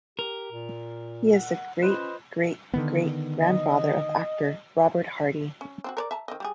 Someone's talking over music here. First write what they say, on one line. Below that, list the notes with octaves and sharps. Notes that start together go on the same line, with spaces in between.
He is the great-great-great grandfather of actor Robert Hardy.
G4 A#4
A#2
F#5
C#4 F4 B4 C5 D#5 F#6 E7
D3 D#3 B3
D#5
C#4
C4 F4 F#4
A#4 C#5 D5
E5 A5 A#5
D#3 C4 D#5
G3 G4 G#4